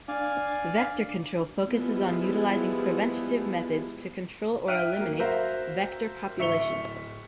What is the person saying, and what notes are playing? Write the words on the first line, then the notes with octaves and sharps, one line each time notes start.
Vector control focuses on utilizing preventative methods to control or eliminate vector populations.
D4 D5 F5 G#5
F3 G3 G#3 B3 E4 G#4
E5 G5 F6 F#6 D7 D#7
F#3 A#3
F#4 A#4 C5 E5 F5
D1 E5 C#6 C#7 F7 G7